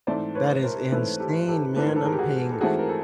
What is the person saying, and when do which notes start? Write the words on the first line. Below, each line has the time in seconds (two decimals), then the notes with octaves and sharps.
That is insane, man, I'm paying
0.07 G#2 E3 A3 C4 C5 D5
0.35 B4 C#5
0.63 A#4 C5
0.91 G#2 E3 A3 C4 A4 B4
1.20 G4 A4
1.48 G4 A4
1.76 G#2 E3 A3 C4 B4
1.86 A#4
1.96 A4
2.05 G#4 A#4
2.12 G4
2.19 F#4 G#4
2.51 A4
2.61 G#2 E3 A3 C4 F#4 G#4
2.79 A#4
2.89 A4